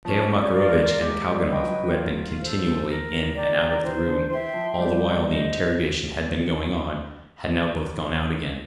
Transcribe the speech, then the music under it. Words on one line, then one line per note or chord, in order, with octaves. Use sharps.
Mihail Makarovitch and Kalganov, who had been continually in and out of the room all the while the interrogation had been going on, had now both gone out again.
F3 C#4
G3
F4 A#4 D5
G#3
G#3 G4
G3
B4 D#5 G5
F#3
F4
A4 C5
A#4
D5 G5 A#5
E3 C5
D3
E3 E5 G5 C6
F3
G3 G4
C5 D#5